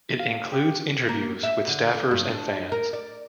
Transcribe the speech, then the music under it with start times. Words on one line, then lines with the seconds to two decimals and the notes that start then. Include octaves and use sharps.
It includes interviews with staffers and fans.
0.19 F5
0.52 G4
1.09 A#3
1.43 E5
1.67 D3
1.94 D3
2.11 G2
2.29 D4
2.72 A#4
2.93 D5